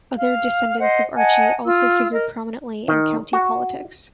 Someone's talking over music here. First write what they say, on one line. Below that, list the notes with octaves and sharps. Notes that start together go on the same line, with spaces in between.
Other descendants of Archie also figured prominently in county politics.
F5
C5 D#5 F#5
D#5 F#5 G#5 A5
F4 E6
A#4 D#5
D#3
F#4